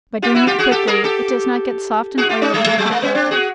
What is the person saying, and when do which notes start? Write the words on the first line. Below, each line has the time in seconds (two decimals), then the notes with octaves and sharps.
By doing it quickly, it does not get soft and oily in hot weather.
0.22 F4 G4
0.35 E4 F#4
0.46 F4 G4
0.59 F#4 G#4
0.71 G4 A4
0.87 G#4 A#4
1.04 G4 A4
2.17 F#4 G#4
2.29 F4 G4
2.42 C#4 D#4
2.54 G3 A3
2.66 G3 A3
2.78 F#3 G#3
2.90 G#3 A#3
3.02 B3 C#4
3.15 C4 D4
3.31 F#4 G#4